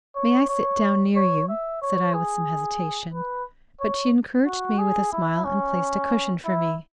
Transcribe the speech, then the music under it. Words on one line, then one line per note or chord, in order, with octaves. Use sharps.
"May I sit down near you?" said I with some hesitation; but she encouraged me with a smile and placed a cushion for me.
C#5
C#5
C#5
E5
C#5
G#4
B4
C#5
F#4
G#4
E4
C#4
E4